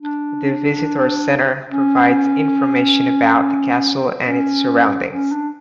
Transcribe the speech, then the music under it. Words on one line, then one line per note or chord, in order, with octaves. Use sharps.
A visitors centre provides information about the castle and its surroundings.
D4
C#4
C#4
C#4
D4